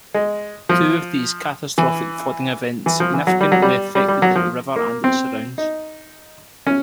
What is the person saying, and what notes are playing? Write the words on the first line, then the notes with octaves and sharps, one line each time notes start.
Two of these catastrophic flooding events significantly affected the river and its surrounds.
G#3
F3
E3
E3
F3
E3
F#3
G3
F#3
G3
G3
G3
F#3
F3
A#3
C4
D#4
C#4